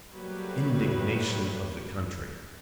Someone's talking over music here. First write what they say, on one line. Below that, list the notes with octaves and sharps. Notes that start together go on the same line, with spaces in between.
Indignation of the country....
F#3 G3 A3 A#3 G4 B4